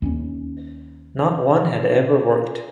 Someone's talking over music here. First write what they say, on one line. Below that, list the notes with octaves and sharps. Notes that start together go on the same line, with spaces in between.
Not one had ever worked.
D#2 C4 C#4